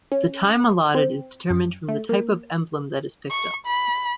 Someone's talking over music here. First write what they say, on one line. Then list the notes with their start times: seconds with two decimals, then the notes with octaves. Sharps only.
The time allotted is determined from the type of emblem that is picked up.
0.12 C#4
0.95 C4
1.50 F#2
1.89 A3
2.09 A#3
3.30 C#6
3.66 B5